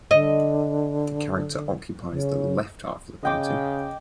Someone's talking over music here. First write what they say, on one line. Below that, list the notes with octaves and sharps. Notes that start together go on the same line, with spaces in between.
The character occupies the left half of the painting.
D3 D#5
C#3
C#3 D#5 G5 D6